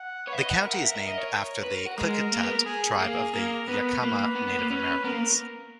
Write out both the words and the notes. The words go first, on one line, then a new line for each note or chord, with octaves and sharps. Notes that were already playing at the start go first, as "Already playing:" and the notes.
The county is named after the Klickitat tribe of the Yakama Native Americans.
Already playing: F#5
B4 C#5
E5
D#5
F#5
A#4 E5
F#5
E5
E5
D#5
C#5
B4
A#4
F#4
G#3 A#4
A#3
B3
G#4
A#3 G#4
A#3 A#4
B3 B4
A#3
B3
B3
A#3
C#4 B4
B3 A#4
A#3